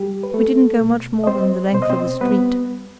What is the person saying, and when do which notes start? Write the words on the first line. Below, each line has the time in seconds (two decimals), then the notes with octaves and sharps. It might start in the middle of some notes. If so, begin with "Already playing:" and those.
We didn't go much more than the length of a street.
Already playing: G3 G4
0.23 B4
0.34 G3 A3 A4
0.80 B2
1.24 D#5
1.27 G3 C4 C5
1.74 B2 C5
1.82 D#5
1.90 C4 C5
2.21 G3 B3 B4